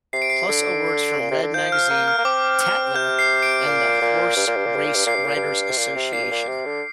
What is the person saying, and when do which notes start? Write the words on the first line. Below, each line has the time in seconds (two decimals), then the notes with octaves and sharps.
Plus awards from "Red" magazine, "Tatler" and the Horserace Writers' Association.
0.13 C3 C7
0.22 D7
0.30 C7
0.49 D3
1.20 A#2
1.31 C3
1.43 D3
1.54 F3 G6
1.72 F6
1.90 A#3 F6
2.08 F6
2.18 A#3
2.25 C4 D6
2.61 F6
2.95 C3 G6
3.19 C7
3.43 D7
3.67 A#2
4.02 A#2
4.36 G2
4.47 A#2
4.57 G2
4.66 A#2
4.76 G2
4.86 A#2
4.96 G2
5.06 A#2 C7
5.16 G2
5.25 A#2
5.36 G2
5.70 C3
5.78 A#2
5.95 C3
6.13 A#2 C7
6.24 G2
6.31 A#2
6.48 C3
6.66 D3